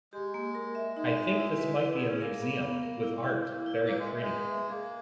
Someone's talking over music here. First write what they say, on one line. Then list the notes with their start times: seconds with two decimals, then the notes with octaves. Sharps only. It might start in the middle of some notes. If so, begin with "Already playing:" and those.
I think this might be a museum, with Art, very Pretty.
0.13 G#3 G4
0.34 A#3
0.55 A#4
0.75 E5
0.96 G#3 D#4
1.17 E5
1.38 E4
1.58 B4
1.79 G#3 E4
1.93 B3
1.99 G#4
2.07 C#4
2.20 A#3 A#4
2.42 B3
2.62 B3
2.83 A#4
3.03 E4
3.24 E4
3.45 E4
3.66 E4
3.87 A#3 B4
3.99 G#3
4.07 E5
4.22 G#3
4.28 B4
4.49 E5
4.69 A#3 G#4